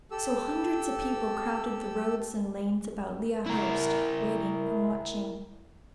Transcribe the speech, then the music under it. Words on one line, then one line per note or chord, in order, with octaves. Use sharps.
So hundreds of people crowded the roads and lanes about Lea Hurst, waiting and watching.
G4 A4 E6
E4 A#4